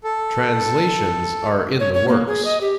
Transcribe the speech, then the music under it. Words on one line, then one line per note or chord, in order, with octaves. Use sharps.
Translations are in the works.
A4
C#5
C#5
A#3
G#4
D#5
G4